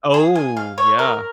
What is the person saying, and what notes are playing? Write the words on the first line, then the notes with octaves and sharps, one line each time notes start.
Oh, yeah.
G#4
G#5
F5
C#5
A#4